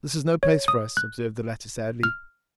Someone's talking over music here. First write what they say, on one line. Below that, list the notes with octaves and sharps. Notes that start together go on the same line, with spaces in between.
'This is no place for us,' observed the latter sadly.
C#5
D#6
F#6
F6